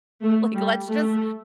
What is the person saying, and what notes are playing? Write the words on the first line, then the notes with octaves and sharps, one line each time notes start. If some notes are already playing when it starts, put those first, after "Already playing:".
like, let's just
A3
G3
A3